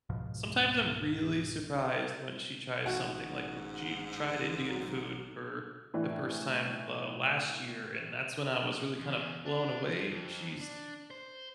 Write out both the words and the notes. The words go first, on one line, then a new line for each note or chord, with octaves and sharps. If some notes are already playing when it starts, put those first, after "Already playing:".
sometimes I'm really surprised when she tries something. Like, wh she tried Indian food for the first time, uh, last year, and that's when I was really kinda blown away. She's
C#2 G#2 B2 F3
A1 G#2 F#4
F#3
A2 E3 D4
E2
D4
F3
F2
D4
C5